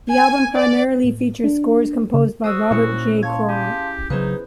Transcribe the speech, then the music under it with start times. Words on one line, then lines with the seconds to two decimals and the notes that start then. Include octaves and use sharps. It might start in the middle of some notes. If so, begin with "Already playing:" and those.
The album primarily features scores composed by Robert J. Kral.
0.11 G#5
0.54 D5
1.04 A2
1.44 D4
2.14 C#3
2.44 F#4 C5 D#6 E6
2.71 A#2 C#4 E4 C#7
3.23 C#5 F5 A5 C6 G#6
3.49 G4 G#4
4.10 C#3 F#3 B3 D#4 G#4 B4 C5